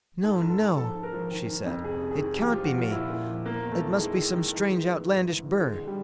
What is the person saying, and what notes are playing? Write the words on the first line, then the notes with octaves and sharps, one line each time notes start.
'No, no!' she said, 'it can't be me; it must be some strange outlandish bird.'
G#2 A4
G#2
A4
G#2
F3 A4
G#2
A#4
F3
D#3
D#3
F2
C3 G#4
C3
G#4
D#3
F3 G4
F4
F3
F#4
F3 F4
A#2 E4
A#2
F3
E2 A#3
E2
A3
E2
D#3 G#3
D#3
D#3
E3 G#3
E3
E3
G#2
E3
E3
D3 G#3
D3
G3